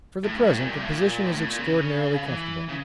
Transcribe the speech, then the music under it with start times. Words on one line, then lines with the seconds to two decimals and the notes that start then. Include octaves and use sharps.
For the present the position is extraordinarily comfortable.
0.24 A2
0.35 G2
0.47 A2
0.58 A#2
0.69 G2
0.81 A2
0.92 A#2
1.26 A2
1.37 A2
1.48 A#2
1.59 C#3
2.26 E3
2.69 C#3